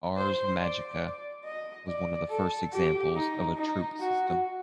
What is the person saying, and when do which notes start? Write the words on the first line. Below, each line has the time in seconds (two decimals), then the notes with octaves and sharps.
"Ars Magica" was one of the first examples of a Troupe system.
0.17 C5
0.60 D5
1.45 D#5
1.88 D5
2.30 A4
2.73 G4
3.15 D#4
3.57 D#4
4.00 F#4